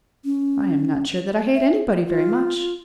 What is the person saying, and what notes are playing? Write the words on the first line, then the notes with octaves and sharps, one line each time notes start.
"I am not sure that I hate anybody very much."
C#4
E5
F4